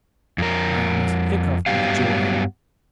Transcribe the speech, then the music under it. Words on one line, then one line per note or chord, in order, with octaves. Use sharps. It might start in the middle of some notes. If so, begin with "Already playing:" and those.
I almost hiccoughed with joy.
F2 A#4
G2 F#3 G#3 B3 G4 F5